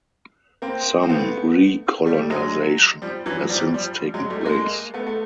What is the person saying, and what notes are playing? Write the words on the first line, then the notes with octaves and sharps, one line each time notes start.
Some recolonisation has since taken place.
A#3 C4
C4
A3 B3
G3 A3
F#3 G#3
F3 G3
E3 F#3
F3 G3
F3 G3
F#3 G#3
G3 A3
A3
G#3 A#3
A3 B3
A3